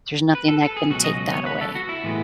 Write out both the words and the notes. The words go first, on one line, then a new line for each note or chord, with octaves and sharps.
There's nothing that can take that away,
B4
A4
A4
G#4
C#2 B2 F#3 F#4
D#5
C#5
B4
A4
F#4
E4
A2 E3 G#3 B3